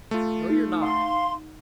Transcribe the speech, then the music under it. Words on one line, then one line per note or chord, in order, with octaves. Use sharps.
"No, you're not."
A3 F4
D#4
F5 F#5 C6